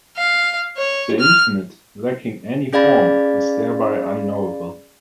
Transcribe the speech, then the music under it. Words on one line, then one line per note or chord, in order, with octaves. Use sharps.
The infinite, lacking any form, is thereby unknowable.
F5
C#5
F6
C#4 G#4 D5 F5 B5 A6